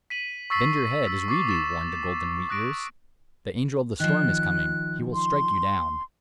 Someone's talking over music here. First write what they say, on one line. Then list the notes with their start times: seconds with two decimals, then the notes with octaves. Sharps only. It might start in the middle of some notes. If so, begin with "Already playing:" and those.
"Bend your head, as we do!" warned the golden wheat-ears; "the angel of the storm is coming; he will strike you down."
0.10 B6 D#7 F#7
0.50 C#6 E6 A6 B6 C7 F#7
1.07 E6
1.28 C#6 D6 A6 C7
1.47 C#6 A6 E7
2.49 C#6 D#6 F#6 A6 A#6 D7
4.00 D#3 F3 F#6
5.14 C6